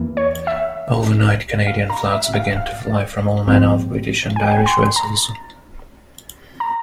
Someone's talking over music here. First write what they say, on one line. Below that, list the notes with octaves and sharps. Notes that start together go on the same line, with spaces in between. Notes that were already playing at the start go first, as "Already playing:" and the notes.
Overnight, Canadian flags began to fly from all manner of British and Irish vessels.
Already playing: E2 E3 A#3
C#5
E5
F5
A#5
E5
F5
F5
A#1 G#2 F3 C4
G#5
G5
G#5
C6
A#5
A#5